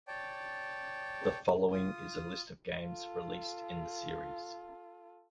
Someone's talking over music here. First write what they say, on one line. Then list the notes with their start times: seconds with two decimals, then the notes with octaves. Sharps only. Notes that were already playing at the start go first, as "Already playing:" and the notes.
The following is a list of games released in the series.
0.08 C#5 D5 G5 A5
1.72 F4 D#6
2.80 F4 A4